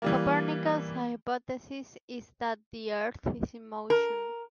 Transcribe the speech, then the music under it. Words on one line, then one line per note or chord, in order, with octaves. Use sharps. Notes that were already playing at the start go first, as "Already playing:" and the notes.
Copernicus' hypothesis is that the earth is in motion.
E3 G3 A#3
A#4